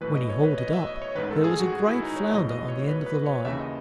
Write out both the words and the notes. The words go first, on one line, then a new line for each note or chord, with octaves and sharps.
When he hauled it up there was a great flounder on the end of the line.
B1 A2 E3 B4
D#5
C#5
B4
D#5
E5
D#5
C#5
A1 G#2 D#3 B4
A4
G#4
F#4
F#4
E4
D#4
C#5
B1 A2 E3 D#5
D#5
C#5
B4
B4
C#5
D#2 C#3 E3 E5
D#5